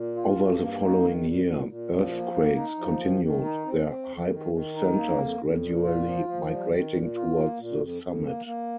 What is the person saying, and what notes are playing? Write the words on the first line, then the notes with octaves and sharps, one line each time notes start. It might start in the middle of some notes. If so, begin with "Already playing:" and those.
Over the following year, earthquakes continued, their hypocentres gradually migrating towards the summit.
Already playing: A#2
F4
G2
A#3
D#4
D#3
A#2
A#2
A#2
F3
A#3
A#3
D#4
F3
D#3
D#3
D#4
C4
C4
F2
D#3
D#3
D#4
A#3
F2
F2
A#2
F4
F3
F3
G3
D#3
A#2
F4
A#3
A#2
F2
F2
A#3
A#3